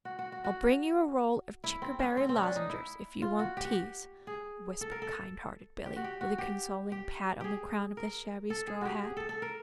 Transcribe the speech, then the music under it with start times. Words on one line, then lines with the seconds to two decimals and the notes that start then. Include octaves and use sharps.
"I'll bring you a roll of chickerberry lozengers, if you won't tease," whispered kind-hearted Billy, with a consoling pat on the crown of the shabby straw hat.
0.05 F#4
0.19 F#4
0.32 F#4
0.44 F#4
1.64 E4
1.82 C4
1.99 C#4
2.17 C4
2.29 C4
2.36 C#4
2.43 D4
2.56 D#4
2.70 E4
3.22 F4
3.39 F#4
3.57 G4
3.65 F#4
3.73 G4
4.27 G#4
4.81 A4
4.91 A#4
5.02 A4
5.86 G4
5.96 F#4
6.04 G4
6.21 F#4
6.38 G4
6.92 G4
7.41 G4 G#4
7.97 A#4
8.50 A4
8.67 G#4
8.81 F#4 G4
9.03 G#4
9.17 A4
9.29 A4
9.42 A#4